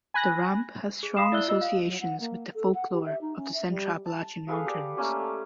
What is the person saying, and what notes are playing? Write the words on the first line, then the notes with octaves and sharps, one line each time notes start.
The ramp has strong associations with the folklore of the central Appalachian Mountains.
G#5 B5 F#6 A#6
G#4
F5 B5 D#6 C7 E7
E4 D5 E5 E6 F#6 G7
F4 D#5 E6
F5
F#3
F#5
A#3
A4
F#5
G4
E5
D#4
C#4
E5
G3
A5
G#4 A4 B4 F5
G4 D5
A3 A#3 C#4 G4
A5